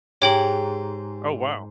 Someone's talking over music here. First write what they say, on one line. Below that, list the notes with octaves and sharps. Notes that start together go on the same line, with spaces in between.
Oh, wow.
G#2 G4 C#5 G5 A#5 F#7